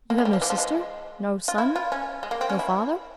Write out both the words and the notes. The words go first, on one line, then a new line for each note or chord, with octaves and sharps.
"You have no sister--no son--no father?"
A#3
G#3
G3
F3
E3
F3
G#3
F4
E4
F4
C#4
G#3
A#3
C4
C#4
E4